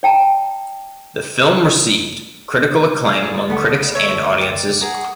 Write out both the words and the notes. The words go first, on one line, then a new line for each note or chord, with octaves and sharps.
The film received critical acclaim among critics and audiences.
D5 G5 A5 A#5
F4 G#4 D5
D2 A3 B3 F#5
C#5 E5
G4 D5
G#4 A#4 F#5